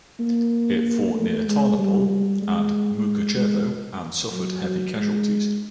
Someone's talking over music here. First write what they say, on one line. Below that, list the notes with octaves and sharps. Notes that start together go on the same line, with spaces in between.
It fought near Tarnopol and Mukachevo and suffered heavy casualties.
A#3
A3
G#3
G3
G3
G#3
G#3
F#3
F#3
G#3